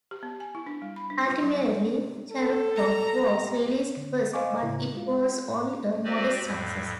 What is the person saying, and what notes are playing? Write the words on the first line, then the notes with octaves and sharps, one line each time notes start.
Ultimately, "Cherub Rock" was released first, but it was only a modest success.
G4
B3
G#5
E4
D4
G3
B5
D4
F4
F#3
C3
A4
A#5
G4
D3
C5 D#5 F5 G#5 C#6 D6
A2 C#3 E4
G#3 F4
C4 F#4 G4 B4 C5 D5
F2 A2